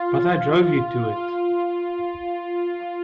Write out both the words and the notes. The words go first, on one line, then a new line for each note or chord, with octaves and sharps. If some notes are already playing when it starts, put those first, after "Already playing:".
But I drove you to it.
Already playing: F4
F4